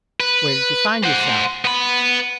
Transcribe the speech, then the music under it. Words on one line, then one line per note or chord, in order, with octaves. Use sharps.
"Where did you find yourself?"
B4
C5 F#5
B3 B5